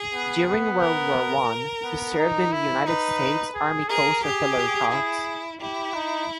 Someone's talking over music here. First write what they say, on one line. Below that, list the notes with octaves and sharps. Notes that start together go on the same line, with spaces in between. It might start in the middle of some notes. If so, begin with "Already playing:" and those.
During World War One, he served in the United States Army Coast Artillery Corps.
Already playing: G#4
B3
B3
A#4
B3
D#4
E4
D#4 B4
G#4
G#4 A#4
G4 G#4
E4
E4 G4
D#4